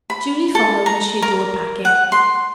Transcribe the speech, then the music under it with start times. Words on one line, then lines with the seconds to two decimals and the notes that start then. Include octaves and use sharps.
Julie followed, as she adored packing.
0.10 B5
0.55 A4
0.86 A#5
1.22 A#4
1.85 F#5
2.12 C6